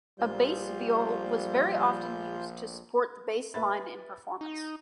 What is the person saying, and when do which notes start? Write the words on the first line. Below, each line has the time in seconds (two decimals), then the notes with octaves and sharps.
A bass viol was very often used to support the bass line in performance.
0.19 A#1 G3 F4 C5 G6
3.54 B4 E5 B5 A6
4.41 D#4